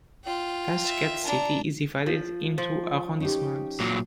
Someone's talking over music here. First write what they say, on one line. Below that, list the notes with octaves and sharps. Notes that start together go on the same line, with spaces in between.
Tashkent city is divided into arrondissements.
F4 G5
E5
D4 A#5
F3
F3
C#4 D#4 G4
A#2 F#3